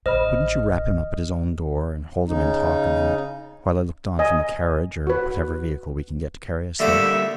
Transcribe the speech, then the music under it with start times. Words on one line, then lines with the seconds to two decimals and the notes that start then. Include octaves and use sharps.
Couldn't you rap him up at his own door, and hold him in talk a minute, while I looked on from the carriage or whatever vehicle we can get to carry us there?
0.06 A1 D3 C5 D#5 B5 F6
2.27 C#3 D#4
4.19 D#5 G#5
5.07 F#4 B4
6.80 D3 G3 A3 A#3 E5